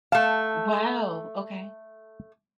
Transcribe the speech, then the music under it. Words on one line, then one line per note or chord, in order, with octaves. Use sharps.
Wow, okay.
A3 F5 A5